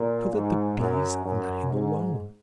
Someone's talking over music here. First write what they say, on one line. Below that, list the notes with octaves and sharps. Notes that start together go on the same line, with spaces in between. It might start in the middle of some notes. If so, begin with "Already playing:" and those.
So that the bees let him alone!
Already playing: A#2
G#2
F#2
F#2
G#2